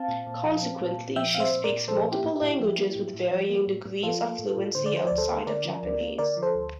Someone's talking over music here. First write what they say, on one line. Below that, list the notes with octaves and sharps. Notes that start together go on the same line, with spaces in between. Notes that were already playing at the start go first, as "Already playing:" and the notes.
Consequently, she speaks multiple languages with varying degrees of fluency outside of Japanese.
Already playing: C4 F5 A5
A#2
A#2
F3
C4
A#2
A#2
F3 E5 G5
C4 F5
C5 E5
A#2
A#4 D5
A#2
F3 A4 C5
A#3
E4 G4
A2
E4 G4
A2
F3
A#3
A2
A2
F3
A#3
A2
A2
F3 F4 A4
A#3
A2
A2
D3 C5
D5
F3 C5
D2 D5
A4 C5
A#3
D3 A#4 D5
F3
D2
A#3
D3 A#4 D5
F3
A4 C5
D2